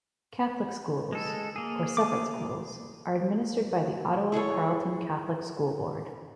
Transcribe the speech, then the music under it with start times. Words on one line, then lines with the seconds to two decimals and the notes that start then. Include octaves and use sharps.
Catholic schools, or "separate schools", are administered by the Ottawa-Carleton Catholic School Board.
1.13 G#3 A4
1.56 A#3 G#4
1.97 D6
4.32 E4 G#4 A4 C#5